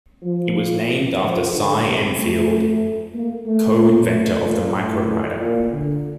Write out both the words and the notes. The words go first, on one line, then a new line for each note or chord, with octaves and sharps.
It was named after Cy Endfield, co-inventor of the Microwriter.
F3
F3
D3
C3
A3
A#3
A3
A3
A#2
A2
A#2
D3